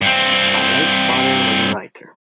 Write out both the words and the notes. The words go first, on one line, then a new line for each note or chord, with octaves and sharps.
My late father was a writer.
G2 C4